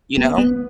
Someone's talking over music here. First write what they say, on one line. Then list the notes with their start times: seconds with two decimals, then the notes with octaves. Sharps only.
you know?
0.17 B3
0.38 B3